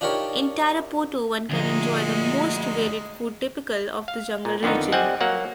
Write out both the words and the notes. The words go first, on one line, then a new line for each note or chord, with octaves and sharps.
In Tarapoto one can enjoy the most varied food typical of the jungle region.
D4 D#4 F4 G4 A#4 C#5
D2 A#2 D3 F3 G#3 D#4
F5
A#2
F2 D3 D#3 B3 D#4
G3 C4 D5 D#5 F#5 G#5
F#3 A#3 F#5